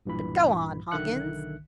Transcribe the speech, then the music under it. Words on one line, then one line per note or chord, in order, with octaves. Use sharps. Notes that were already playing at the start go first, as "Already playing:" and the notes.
"But go on, Hawkins."
B1 G2 A#2 E3 B5
B1 D3 D#3 E5 F#6 C#7